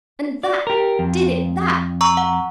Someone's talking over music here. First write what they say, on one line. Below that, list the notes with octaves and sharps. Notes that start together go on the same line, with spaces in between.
And THAT did it--that!
D5
G4 A#4
F2
A#5 C#6 E6
F#5